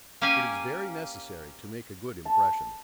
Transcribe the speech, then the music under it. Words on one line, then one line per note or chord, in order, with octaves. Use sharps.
It is very necessary to make a good impression.
A#3 C#4 G4 F5 G#5
A5